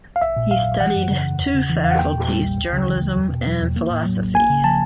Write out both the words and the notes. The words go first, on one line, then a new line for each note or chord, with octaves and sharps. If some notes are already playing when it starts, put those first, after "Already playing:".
He studied two faculties journalism and philosophy.
F5
A#1 E5
A#2
F#3 F5
A#1
E3 F#5
F#2
C#3
G1
E2
C#3
E3
E2 F5
F#5
A#3 G5
A#2
G3
A#1
D2
C#3
E3
D2
E2
B2
F#3
E2
A#3
A2
F#3
A#1
A#3 G#5
C#3
F3 A5